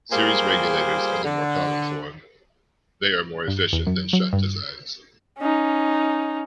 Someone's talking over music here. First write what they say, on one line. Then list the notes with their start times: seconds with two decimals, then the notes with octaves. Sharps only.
Series regulators are the more common form; they are more efficient than shunt designs.
0.11 A#2 G3 A#3 G4 G#4 C5
1.24 D3
3.48 G2
3.73 E2
3.86 F#2
4.13 F#3
4.33 G2
5.39 C#4 D#4